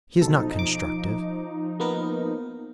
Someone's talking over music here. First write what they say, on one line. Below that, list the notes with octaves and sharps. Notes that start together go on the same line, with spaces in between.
He is not constructive.
B1 F3 D#4 A4
D6
A#3 B3 A#4